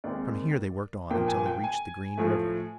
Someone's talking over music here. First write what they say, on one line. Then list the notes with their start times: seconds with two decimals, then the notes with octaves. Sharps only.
From here they worked on until they reached the Green River.
0.04 D#2 D#3 G#3 C4 D5
1.10 A#2 F3 A#3 G5
1.28 G#5
1.46 G5
1.64 G#5
2.17 A2 F3 A3